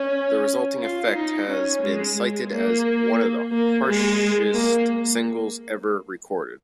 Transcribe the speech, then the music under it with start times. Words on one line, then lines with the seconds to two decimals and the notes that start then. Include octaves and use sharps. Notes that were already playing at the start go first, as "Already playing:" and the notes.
The resulting effect has been cited as "one of the harshest singles ever recorded".
Already playing: C#4
0.82 F4
1.15 D#4
1.48 C#4
1.82 G#3
2.16 G#3
2.50 A#3
3.52 A#3
3.85 G#3
4.53 A#3